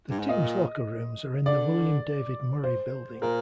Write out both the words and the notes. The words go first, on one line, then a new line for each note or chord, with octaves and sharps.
The teams locker rooms are in the Willam David Murray Building.
G2
G#2
A#2 D#5
D3 D5
C5
A#2 A#4